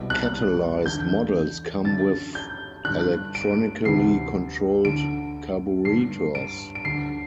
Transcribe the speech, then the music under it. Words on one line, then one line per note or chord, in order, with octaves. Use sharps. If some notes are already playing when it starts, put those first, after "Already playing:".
Catalyzed models come with electronically controlled carburetors.
Already playing: C2 B2
F#6
E2 D3 G6
F#2 D3 A6
G6
G2 D3 F#6
D7
D2 C3 E3 C7
D2 D3 D7
G2 D3 C7
D7
D7
D2 D3 C7